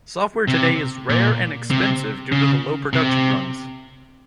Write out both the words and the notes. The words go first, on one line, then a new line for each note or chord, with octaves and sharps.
Software today is rare and expensive due to the low production runs.
C3
A#2
C3
C#3
C3